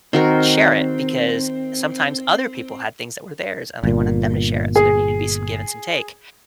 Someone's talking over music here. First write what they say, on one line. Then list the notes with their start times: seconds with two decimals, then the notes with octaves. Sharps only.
share it, because sometimes other people had things that were theirs, and I wanted them to share it, so there needed to be some give and some take,
0.13 D#3 C4 F#4 A#4
3.83 G1 A#2
4.76 G#4